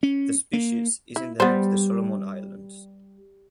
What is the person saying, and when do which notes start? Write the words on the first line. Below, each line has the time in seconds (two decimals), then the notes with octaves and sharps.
The species is endemic to the Solomon Islands.
0.03 C#4
0.53 A#3
1.16 E4
1.40 G3 B3 C5